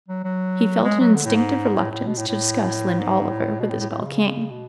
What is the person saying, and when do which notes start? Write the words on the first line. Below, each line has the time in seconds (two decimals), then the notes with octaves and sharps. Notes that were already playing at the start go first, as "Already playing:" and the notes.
He felt an instinctive reluctance to discuss Lynde Oliver with Isabel King.
0.08 F#3
0.24 F#3
0.84 G#3
1.00 F#3
1.15 D3
1.25 A2
1.35 G#2
1.76 A2
1.91 A2
2.07 B2
2.17 A2
2.28 A2
2.99 G#2
3.30 A2
3.60 B2
3.69 A2
3.80 A2
3.90 A2
4.01 B2
4.06 C#3
4.50 B2